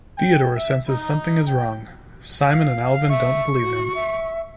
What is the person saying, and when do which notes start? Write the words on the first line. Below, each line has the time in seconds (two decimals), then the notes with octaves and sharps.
Theodore senses something is wrong; Simon and Alvin don't believe him.
0.17 G5
0.55 E5
0.87 D#4
1.46 G5
2.47 F5
3.10 E5 C#6
3.64 F#4
3.95 E5